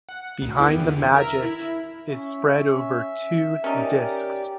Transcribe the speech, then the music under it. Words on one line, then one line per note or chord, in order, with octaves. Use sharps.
"Behind the Magic" is spread over two discs.
F#5
D2
B3 E4 G4
E2 D3
A#4 E5 A#5
E4
C#4 E5
C#4 D#4 G4 A#4 D5